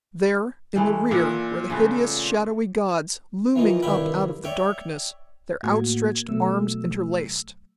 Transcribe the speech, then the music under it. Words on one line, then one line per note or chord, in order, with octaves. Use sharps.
There, in the rear, were the hideous, shadowy gods, looming up out of the darkness, their outstretched arms interlaced.
E3 G#3 A3
A#2 A#4 E5 F#5
C#3 A3 B3
E3 F3 A#3 D#4
C2 G2 D#3 E4 G5 B5
C#5 D5 E5 G5
A2 A#3 F#4 G#6
B2 F#3 A3 E6